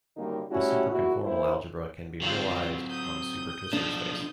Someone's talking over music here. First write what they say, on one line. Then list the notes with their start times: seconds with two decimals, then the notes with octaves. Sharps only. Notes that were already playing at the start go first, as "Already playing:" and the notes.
The superconformal algebra can be realized on supertwistor space.
0.17 F#2 D3 D#3 G3 A#3 D#4
0.51 G3 A3 C#4 E4 F#4 G4
0.90 E2 A#2 E4 F#4
1.24 D3 A#3 E4 C5
2.22 D3 F#3 C4 F4 F5
2.89 D#6 G6
3.73 B1 F3 D4